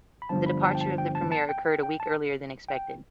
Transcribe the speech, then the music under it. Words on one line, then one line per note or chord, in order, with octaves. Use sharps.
The departure of the premier occurred a week earlier than expected.
B5
G1 G2 F3 A5
B5
A5
G5
A5
G5
A5
A5
G5
G5
G5
A5
G5